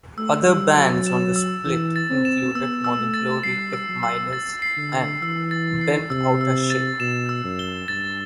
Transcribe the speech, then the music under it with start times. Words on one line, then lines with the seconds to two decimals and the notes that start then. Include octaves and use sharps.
Other bands on the split included Morning Glory, F-Minus, and Bent Outta Shape.
0.18 A3 E6
0.47 G3 E6
0.76 F#3 A6
1.06 E7
1.36 E6
1.65 E3 E6
1.96 A6
2.10 C4
2.25 E7
2.55 B3 E6
2.84 E6
2.99 A3
3.14 A6
3.43 G3 C7
3.73 E6
3.89 F#3
4.03 E6
4.33 A6
4.62 C7
4.77 D3
4.92 E6
5.22 E3 E6
5.51 A6
5.81 C7
6.10 C3 E6
6.41 E6
6.70 A6
7.00 B2 E7
7.29 E6
7.44 F#2
7.59 G7
7.88 G2 A6